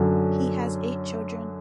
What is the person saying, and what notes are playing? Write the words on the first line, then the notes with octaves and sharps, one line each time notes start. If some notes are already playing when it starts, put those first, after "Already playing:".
He has eight children.
Already playing: F#2 D3 F#3